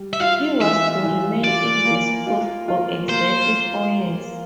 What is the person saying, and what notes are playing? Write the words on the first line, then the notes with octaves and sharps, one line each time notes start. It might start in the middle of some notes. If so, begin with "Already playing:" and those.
He was to remain in this post for exactly four years.
Already playing: G3
E5
F4 F5
E3 E5
E3
F4 D5
A#3
F4
F4
A#3 C5